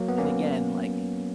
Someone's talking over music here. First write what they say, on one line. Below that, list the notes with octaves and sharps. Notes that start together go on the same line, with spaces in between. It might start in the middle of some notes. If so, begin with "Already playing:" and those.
and again, like,
Already playing: F#3 A#3
B3
A#3 C#4